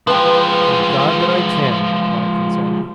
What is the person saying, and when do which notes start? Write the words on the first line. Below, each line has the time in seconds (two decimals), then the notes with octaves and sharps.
"Thank God that I can," replied Prince Andrew.
0.07 F3 G#3 B4 G5